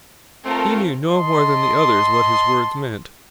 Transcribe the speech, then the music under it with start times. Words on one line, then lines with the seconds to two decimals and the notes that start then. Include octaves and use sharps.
He knew no more than the others what his words meant.
0.45 A3 C4 F4 A4 A#4
1.08 D#5 A5 C6